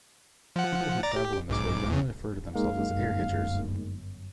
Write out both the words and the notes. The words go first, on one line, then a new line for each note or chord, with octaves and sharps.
People who travel in this way generally refer to themselves as Airhitchers.
F3 F#5
D5 A#5 A6
G4
B1 G#2 D6
E2 C#3
G1 F#2 G#3 A#3 D#4 F5